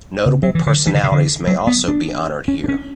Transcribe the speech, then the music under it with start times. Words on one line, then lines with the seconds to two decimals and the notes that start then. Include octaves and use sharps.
Notable personalities may also be honoured here.
0.26 C#3
0.43 F#3
0.55 E3
0.67 D3
0.87 E3
0.95 D3
1.03 C#3
1.12 D3
1.47 F#3
1.67 B3
1.88 D4
2.48 C#4
2.64 D4
2.68 C#4